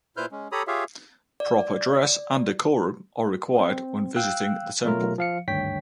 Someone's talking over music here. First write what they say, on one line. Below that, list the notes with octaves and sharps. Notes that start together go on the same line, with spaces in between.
Proper dress and decorum are required when visiting the temple.
A#2 E4 B4 C5 F6 G6
G#3 C#4
G4 A4 C#5 A#5 B5 D#6
F4 G4 G#4 C#5 E5 F5
D5
C4
F5 G5 E6 F#6
B2 F#3 A3 F4 A#4
F3 F5 C#7
G#1 D2 G2 C#5 G5 B6